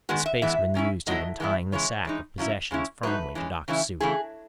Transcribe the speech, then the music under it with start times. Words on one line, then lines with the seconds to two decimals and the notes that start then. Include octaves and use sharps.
The spaceman used it in tying the sack of possessions firmly to Doc's suit.
0.09 D#3 G#3 B3 F#4
0.26 E5
0.42 E3 G#3 B3 E4 E5
0.75 F#3 C#4 E4
1.07 A2 F#3 B3 E4 D#5
1.40 E3 G#3 B3 E4
1.72 C#3 E3 G#3 C#5
2.05 E3 G#3 D#4
2.38 C#3 F#3 C#4 E4
2.71 C#3 G#3 C#4 E4
3.03 A2 F#3 A3 D#4 B4
3.35 E3 G#3 C#4
3.68 C#3 E3 A3 C#4 E4
4.00 C#3 E3 A3 E4 G#4